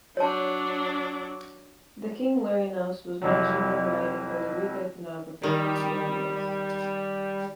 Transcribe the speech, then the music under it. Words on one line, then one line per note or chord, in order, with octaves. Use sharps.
The King Luernios was mentioned in writing by the Greek ethnographer Posidonius.
F#3 D4 C#5 A5
C2 F2 F#3
D#3 G3